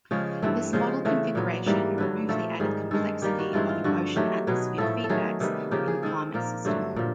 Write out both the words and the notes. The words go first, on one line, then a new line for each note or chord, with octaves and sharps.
This model configuration removes the added complexity of ocean-atmosphere feedbacks in the climate system.
C#3 F3 G#3 C#5
G2 E3 A3 C4
C#3 F3 G#3 C5
C#3 E3 A3
A#2 F#3 B3
G#2 E3 G3 A#3
G2 D3 F#3 B4
A#2 F3 A3 C4 A4
G#2 D#3 G3 G#4
G2 D#3 G#3 A4
D#3 G3 A#3 G4
F#4
G2 E3 G#3 C4 F4
F4
G2 D3 F3 F#4
D#3 F#3 A3 G4
B2 F#3 B3 G#4
A2 F3 A3 A4
A4
D#3 F#3 A3 G#4
C3 D#3 G3 B3
C#3 F3 A#3 G4
G#4
D#3 G#3 C4 A4
A#2 F3 A#3 A#4
G2 D3 F#3 A3 C5
A#2 F3